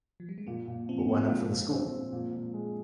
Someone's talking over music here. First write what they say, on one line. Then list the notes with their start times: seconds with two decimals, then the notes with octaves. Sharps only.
But why not for the school?
0.20 F3
0.29 G3
0.38 G#3
0.47 A#2 A#3
0.68 A#2
0.89 F3 C4
0.99 A#3
1.08 F3 C4
1.20 A#3
1.29 A#2 G#3
1.51 A#2
1.71 C4
1.92 F3
2.13 A#2
2.33 A#2
2.54 G#3